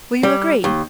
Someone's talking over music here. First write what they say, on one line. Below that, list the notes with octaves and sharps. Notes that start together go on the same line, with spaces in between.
Will you agree?
G3
D#2